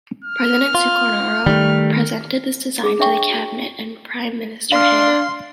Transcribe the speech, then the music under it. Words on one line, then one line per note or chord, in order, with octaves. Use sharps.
President Sukarno presented this design to the cabinet and Prime Minister Hatta.
F6
F4
D#3 G3 A3
G#4 D6
D4 C#5 E5 G5 C#6
F#4
D4 F5 C6 F6